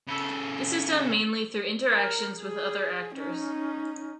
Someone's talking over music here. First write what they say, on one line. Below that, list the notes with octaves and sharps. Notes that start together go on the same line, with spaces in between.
This is done mainly through interaction with other actors.
C#3 A4
A#4
G#4
C#4 D#4